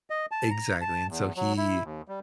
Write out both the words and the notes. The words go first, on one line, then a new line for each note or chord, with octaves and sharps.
Exactly and so he
D#5
A5
A#5
A5
E2
F#3
E4
D#2
G3